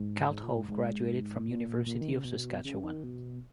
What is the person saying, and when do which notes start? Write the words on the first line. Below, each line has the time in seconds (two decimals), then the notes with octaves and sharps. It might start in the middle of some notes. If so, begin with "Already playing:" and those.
Kalthoff graduated from University of Saskatchewan.
Already playing: G#2
0.30 G#2
0.43 A#2
0.56 G#2
0.69 G#2
1.48 A#2
1.86 A#2
2.01 D#3
2.13 C#3
2.25 B2
2.65 C#3
2.83 D#3
3.04 B2